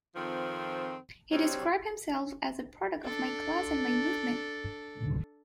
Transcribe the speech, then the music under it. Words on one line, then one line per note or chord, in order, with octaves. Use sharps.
He described himself as "a product of my class and my movement".
F2 D#3 F3 C4
F#3 G3 C4
D4 A4